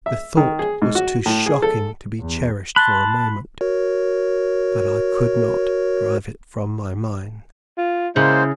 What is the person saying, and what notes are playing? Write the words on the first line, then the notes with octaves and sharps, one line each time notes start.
The thought was too shocking to be cherished for a moment; but I could not drive it from my mind.
E5
D#3
G#4
G#2
F#4
A2
G#4
A4
E2
A5 B5 C6 F#6
F#4 A#4 C#5
F4
C#3 G#3 A#3 E4 C5